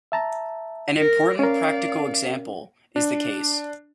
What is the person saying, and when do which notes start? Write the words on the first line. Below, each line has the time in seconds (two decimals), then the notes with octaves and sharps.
An important practical example is the case.
0.12 E5 A5 A#5
0.98 A#4
1.39 C#4 A#4 D5 F5
2.96 D4